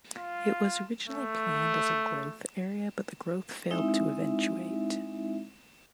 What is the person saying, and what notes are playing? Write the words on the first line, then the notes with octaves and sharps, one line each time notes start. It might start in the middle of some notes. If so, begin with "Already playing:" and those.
It was originally planned as a growth area, but the growth failed to eventuate.
F4
A3
G#3 C4 D#4 E4 E5